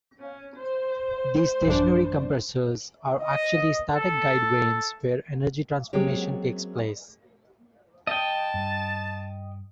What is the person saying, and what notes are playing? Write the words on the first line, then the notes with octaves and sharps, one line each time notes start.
These stationary compressors are actually static guide vanes where energy transformation takes place.
C#4
C5
A1 F#2 D4
D#5
A4
F#3 G#3 A#3 C4 C#4 G4
D#5 G5 A5
G2